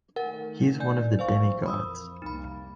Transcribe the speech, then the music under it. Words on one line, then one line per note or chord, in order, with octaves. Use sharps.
He is one of the demigods.
D#3 A3 A#4 F#5
D5 G#5 G6
A#1 E3 F3 C5 F5 C#6
F2 B5 D#6 E6
C2 A#3 D#4 B5